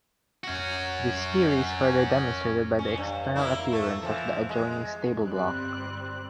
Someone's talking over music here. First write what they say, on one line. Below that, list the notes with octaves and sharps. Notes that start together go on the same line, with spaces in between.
This theory is further demonstrated by the external appearance of the adjoining stable block.
C#4 F#4
C#4
G2
A#3 E4
A3
E3 F3
G#3
G1 G3 C4 F#6